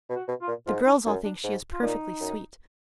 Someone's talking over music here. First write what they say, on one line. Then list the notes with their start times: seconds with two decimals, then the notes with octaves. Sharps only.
The girls all think she is perfectly sweet.
0.09 B2
0.16 F#4
0.28 B2
0.41 F4
0.48 A#2
0.67 G#2 F4
0.86 D#4
1.05 F#2 D#4
1.25 D4
1.44 G#2
1.73 F4
1.82 A#2 D#4
2.20 F#2